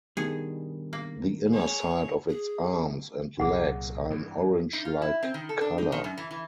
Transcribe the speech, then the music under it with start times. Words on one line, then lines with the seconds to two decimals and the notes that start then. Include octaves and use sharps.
The inner side of its arms and legs are an orange-like color.
0.17 G2 B2 D#3 G#4
0.93 A#3
1.49 G#4 C#5
2.29 G#4
3.40 C2 A#2 F#3 G#4 F#5
4.10 G2 E3
4.73 D#4
4.85 F4
5.02 E4
5.23 C4
5.34 D#3
5.49 A4
5.61 D4
5.78 D#4
5.92 D#3
6.04 F#2
6.17 E3
6.31 E3